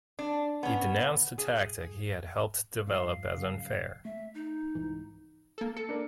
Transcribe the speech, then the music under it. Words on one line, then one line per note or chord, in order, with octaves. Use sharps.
He denounced the tactic he had helped develop as unfair.
D4
B3 C#4
G#4
G2 F3 F5
C#3 F#3
A3 E5
D#4
C2 G#2 E3
A#3 A4
A4 C#7
A#3 D4